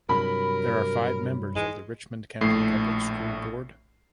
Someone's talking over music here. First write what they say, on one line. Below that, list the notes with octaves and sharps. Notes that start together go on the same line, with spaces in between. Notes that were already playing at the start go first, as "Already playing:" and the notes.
There are five members of the Richmond County Public School board.
G2 C3 F#3 A#4 B5
G#2 E3 G#3
A#1 A2 A3 C7